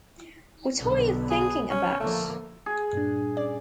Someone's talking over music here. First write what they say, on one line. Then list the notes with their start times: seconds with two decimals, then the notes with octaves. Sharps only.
What are you thinking about?
0.77 B1 D3 B3
1.30 G#4
1.70 C#4
2.00 D3 F3 A3 A#3
2.66 G#4
2.93 G2 A#2 D4
3.36 C#4 D5 G#5